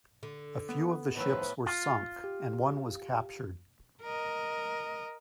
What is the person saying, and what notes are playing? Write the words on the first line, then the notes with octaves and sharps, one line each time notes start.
A few of the ships were sunk, and one was captured.
D3
B3
A2 D#3 F3 B4 E6
F4
G4
A#4 D#5